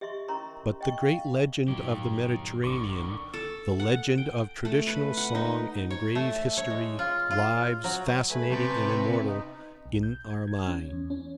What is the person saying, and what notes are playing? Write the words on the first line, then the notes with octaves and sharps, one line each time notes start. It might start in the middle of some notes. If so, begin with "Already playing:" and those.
But the great legend of the Mediterranean, the legend of traditional song and grave history, lives, fascinating and immortal, in our minds.
G4 D#5 E5 C6 C#6
C#4 E4 A#4 A#5 C6 C#6
D#5 G5 C#6
F5
G2 A#2 D#3 F#3 D#4 G4
A1 D3 D#3 C#6 D6
A4
F#5
G5
A3
B4
F#5
D#4
C#5
A3
C#5
G#3
F4
F4
F#3
A3 B4 G#5
C3 A5 C#6 G6
D#4
B1
G6
G#6
G#6
C#4
E2
C#4